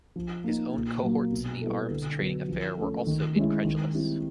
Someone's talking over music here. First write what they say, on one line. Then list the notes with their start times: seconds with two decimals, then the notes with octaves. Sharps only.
His own cohorts in the arms trading affair were also incredulous.
0.16 F3
0.44 A#3 D#4
0.74 A#2
1.03 F#3 A#3
1.32 B2
1.61 G3 B3 E4 A4
1.91 D3
2.19 F#3 B3
2.48 F3
2.77 A3 C#4
3.07 D#3
3.36 G#3 C#4 E4
3.65 D#3
3.94 G3 C4 E4